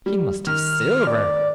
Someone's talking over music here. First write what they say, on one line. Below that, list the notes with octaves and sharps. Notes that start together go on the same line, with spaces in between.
He must have silver.
G3
D#3 F6
D5